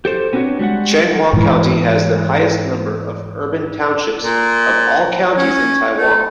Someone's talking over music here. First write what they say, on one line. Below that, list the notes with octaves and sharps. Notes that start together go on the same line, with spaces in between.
Changhua County has the highest number of urban townships of all counties in Taiwan.
G4 A4 C5
B3 C4 D4 F4 F#4 C#5
G3 G#3 F#4 F#5
G#2 E3
A#2
C#4
A3